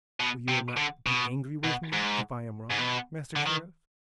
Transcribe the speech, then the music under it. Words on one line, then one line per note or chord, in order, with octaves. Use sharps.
"But you will not be angry with me if I am wrong, Master Sheriff?"
B2
C3
D3
B2
B2
G#2
G#2
B2
D3
D#3